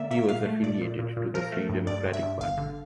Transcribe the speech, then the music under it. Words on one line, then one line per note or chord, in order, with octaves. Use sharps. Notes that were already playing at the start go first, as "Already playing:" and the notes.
He was affiliated to the Free Democratic Party.
Already playing: D3 A#3 D5 E5
A#3 E5
A#2 F5
A3
A#2 D5
A#2
A#2
A#2
F3 A#4
A3
G2
G2 D5
G2
E5
G2
G1 F5
D3